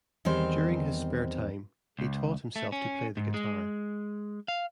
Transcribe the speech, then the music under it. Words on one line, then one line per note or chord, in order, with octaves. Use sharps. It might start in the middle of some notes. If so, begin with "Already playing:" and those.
During his spare time, he taught himself to play the guitar.
E2 D#3 G3 C4 C5
C#2
A3
C#4
G#2
G#3
F5